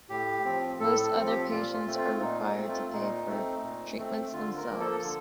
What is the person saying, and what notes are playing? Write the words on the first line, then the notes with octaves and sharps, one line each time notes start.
Most other patients are required to pay for treatments themselves.
A2 G4
F3 C4
A2 A4
A4
F3 C4
G4
A#2 F4
F4
A3 C4
F4
A#2 D#4
D#4
A3 C4
F4
A#2 D#4
A3 C4
A#2
A3 C4
D3 F4
A#4
F3 A#3
A4
D3 A4